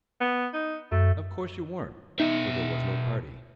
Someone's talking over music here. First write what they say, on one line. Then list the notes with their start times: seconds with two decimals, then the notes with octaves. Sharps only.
Of course you weren't, for there was no party.
0.21 B3
0.53 D#4
0.92 F#2 A3
2.20 B2 D#4 E5